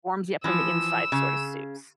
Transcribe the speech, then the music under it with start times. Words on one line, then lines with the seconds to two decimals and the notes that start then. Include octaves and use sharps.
warms you up from the inside sort of soups.
0.44 E3 F3 E6
1.12 C#3